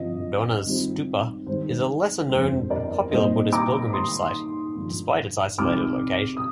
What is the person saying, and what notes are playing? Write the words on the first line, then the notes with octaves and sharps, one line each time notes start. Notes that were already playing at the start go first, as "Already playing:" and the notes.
Dona's stupa is a lesser-known but popular Buddhist pilgrimage site, despite its isolated location.
Already playing: G2 D3 F3 C4 F4 D#5
G#1 G#2 G3 C4 F4
G#1 G#2 D#3 G3 C5
G1 F2 D3 F3 G#3 C5
A#4 D5
A#2 G3 C4 D#4 C5 D#5
A#5 D6
G#2 D#3 G3 C6 D#6
G2 D3 F3
C2 C3 F3 C4 D#4 D6 F6
D#6